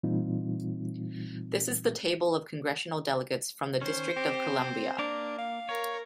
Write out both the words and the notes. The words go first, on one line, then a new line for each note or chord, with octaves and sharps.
This is the table of congressional delegates from the District of Columbia.
A#2 E3 G3 C4 D#4 F4
D#3 C#4 C5
C4 G4
A#3 D4 A#5 D6
F5
A#4 C#5